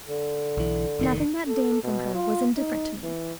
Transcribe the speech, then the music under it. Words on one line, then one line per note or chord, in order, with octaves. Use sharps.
Nothing that dame from her was indifferent to me.
D3
B1 E3
F1 G#2 D#3
A4
B2
F4
D#4
E3